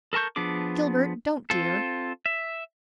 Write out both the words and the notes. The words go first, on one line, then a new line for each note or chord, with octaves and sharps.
Gilbert, don't, dear!
A4 A#4 A5 C#6 G6
F3 B3 D4 G#4 D6
C4 F4 A4
E5